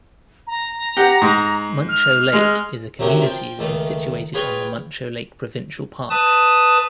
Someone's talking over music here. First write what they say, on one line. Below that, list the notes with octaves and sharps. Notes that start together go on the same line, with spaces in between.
Muncho Lake is a community that is situated on the Muncho Lake Provincial Park.
A#5
G4 F#5
G#2
F6
G#3
D2 C3 F#3 F#4 A#4 G5
F3 G5
C#2 D#3 A3
F4 G#4 B4 C#5 F5 G5
B4 A5 D#6